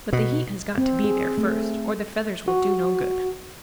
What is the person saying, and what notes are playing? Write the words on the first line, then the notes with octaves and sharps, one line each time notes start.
But the heat has got to be there first, or the feathers will do no good.
B2
C4
G#4
A3
F#4